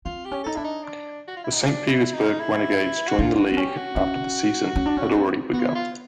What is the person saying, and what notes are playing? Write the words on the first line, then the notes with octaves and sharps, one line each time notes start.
The Saint Petersburg Renegades joined the league after the season had already begun.
C4 F4
G4
C#4
D#4 A4
D4 E4
D#4
D4
F#4
F4
E4
D#4
D4
E4
D#4
E4
F#4
D4 F4
F#4
C4
C#4 G4
F#4
C#4
C#4
D4
C#4
C4
B3 F#4
F4
E4
F4